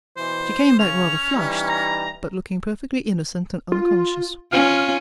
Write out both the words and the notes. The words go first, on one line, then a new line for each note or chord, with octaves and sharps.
She came back rather flushed, but looking perfectly innocent and unconscious.
B2 E3 C5
C#3 C#4 F7
E3 G3 D#4
A#5
F4
C#4 F4 F6